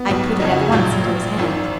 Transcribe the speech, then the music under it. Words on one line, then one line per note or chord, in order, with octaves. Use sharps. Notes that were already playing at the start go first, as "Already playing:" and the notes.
I put it at once into his hand.
Already playing: B3
B1 B2 F#3
F#1 F2 C#3 D#4
F#4
G#4
A#1 A#2 F#3 F4
A#1 A#2 F#3
G#1 F#2 D#3